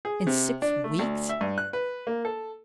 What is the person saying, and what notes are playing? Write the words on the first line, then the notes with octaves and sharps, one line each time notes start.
"In six weeks?"
G#4
C3
D4
A3
D2
E5
G2
F#6
B4
A#3
A4